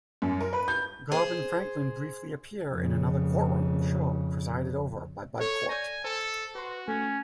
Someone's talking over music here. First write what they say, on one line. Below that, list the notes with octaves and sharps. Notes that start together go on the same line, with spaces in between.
Gob and Franklin briefly appear in another courtroom show presided over by Bud Cort.
F#2
A#4
B4
G6
G#4 C5
F2 C#3
A4 C#5
D5 G#5 G6 A#6
A4 C5
F#4 B4 C6
A3 C#4